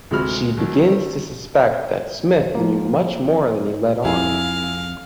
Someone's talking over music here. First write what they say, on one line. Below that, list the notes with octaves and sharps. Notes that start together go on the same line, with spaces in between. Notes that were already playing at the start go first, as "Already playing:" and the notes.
She begins to suspect that Smith knew much more than he let on.
D2 C3 G#3 F#4 B5 F6
D#2 F#3
F3 A#3
F2 E4 G#4 F5